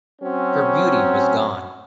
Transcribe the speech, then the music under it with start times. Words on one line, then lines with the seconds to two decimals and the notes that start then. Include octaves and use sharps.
Her beauty was gone.
0.22 F#3 C4 C#4